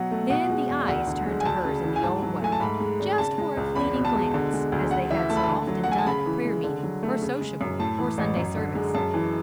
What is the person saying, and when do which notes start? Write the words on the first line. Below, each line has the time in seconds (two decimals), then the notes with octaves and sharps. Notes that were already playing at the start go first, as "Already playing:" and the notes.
Then the eyes turned to hers in the old way, just for a fleeting glance, as they had so often done at prayer-meeting, or sociable, or Sunday service.
Already playing: B2 F#3 F#5
0.11 A3
0.30 B2 F#5
0.50 G#3
0.68 E2
0.88 D2 F#5
1.07 D3
1.26 G#3
1.40 G#5
1.45 D2 A5
1.65 C#3
1.84 E3
1.96 G#5
2.03 G#2 A5
2.23 F#3
2.42 A3 G#5
2.52 A5
2.60 G#2 B5
2.80 G#3
2.99 G#1
3.18 C#3 A5
3.38 G#3
3.57 C#2
3.75 E2 B5
3.95 B2
4.05 A5
4.14 G#3
4.34 D3
4.53 G#3
4.72 D2
4.91 C#3 F#5
5.11 E3 E5
5.30 A3 A5
5.37 B5
5.43 A5
5.49 D3
5.67 F#3
5.84 F#5
5.87 A3 G#5
5.98 A5
6.06 C#3 B5
6.26 E3
6.45 G#3
6.64 D3
6.83 F#3
7.03 A3
7.22 C#3
7.41 G#3
7.61 F#2
7.79 A2 A5
7.99 E3
8.18 A1
8.36 F#2
8.56 D3
8.75 G#3
8.95 F#2 A5
9.14 E3